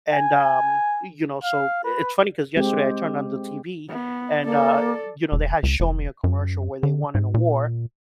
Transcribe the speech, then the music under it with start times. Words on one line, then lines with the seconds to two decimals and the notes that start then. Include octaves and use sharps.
And, um you know, so it's funny 'cause yesterday I turned on the TV and, uh you know, they had shown me a commercial where they won an award,
0.13 G#5
1.43 F5
1.84 B4
2.57 G#3 C4 G4
3.89 B3
4.44 A#3 A4 D5
5.32 E1
5.63 C#2
5.80 F1
6.24 F#2
6.83 D3
7.15 G#2
7.34 A#2